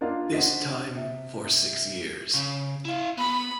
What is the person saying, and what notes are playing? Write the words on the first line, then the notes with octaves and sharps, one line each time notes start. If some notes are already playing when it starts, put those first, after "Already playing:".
This time for six years.
A#3 D4 F4 A#4 D#5 F5
D4 F#4 C5 D#5 B6
C3
C#3
E4 F5
B3 B5